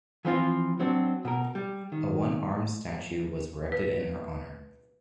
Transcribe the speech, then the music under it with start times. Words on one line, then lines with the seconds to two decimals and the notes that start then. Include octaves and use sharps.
A one-armed statue was erected in her honor.
0.25 E3 F3 C4 F4
0.80 F#3 C4 D4
1.25 B2 A#4
1.55 G3
1.92 D#3
3.72 B4